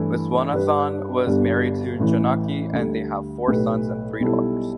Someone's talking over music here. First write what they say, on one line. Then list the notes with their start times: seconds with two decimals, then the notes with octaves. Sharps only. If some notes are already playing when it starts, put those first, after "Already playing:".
Viswanathan was married to Janaki and they have four sons and three daughters.
Already playing: G2 E3 A3 E4 A4
0.52 G2 G3 D4 B4
1.26 G1 G2 G3 B3 D4
1.99 A1 A2 E3
2.73 D2 D3 G3
3.47 B1 A2 A3 G4 B4
4.20 B1 B2 G3 E4 A4